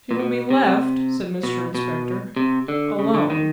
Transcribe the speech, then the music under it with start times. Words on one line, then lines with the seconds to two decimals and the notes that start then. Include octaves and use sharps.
'She will be left,' said Mr Inspector, 'alone.'
0.11 A#2
0.19 B2
0.50 C3
1.43 B2
1.75 B2
2.36 C3
2.68 D3
2.99 C#3
3.14 D3
3.30 D#3